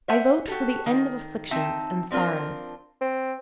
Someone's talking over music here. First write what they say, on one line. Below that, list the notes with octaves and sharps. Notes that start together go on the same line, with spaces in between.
I vote for the end of afflictions and sorrows.
C5 E5 F#5 G#5
F#4 G4 A4
D#3
C4 D#4 E5 A5
F3 C4 D4 F4 A#4
C4